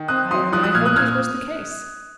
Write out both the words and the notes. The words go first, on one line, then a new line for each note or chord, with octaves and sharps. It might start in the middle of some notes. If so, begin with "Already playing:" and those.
I own I hoped it was the case.
Already playing: D#3
C4 D#6 F#6
F#3 C6 D#6
F3 D#6 F#6
D#6 F#6
A#2 F6 G#6
D#6 F#6
A#2 F6 G#6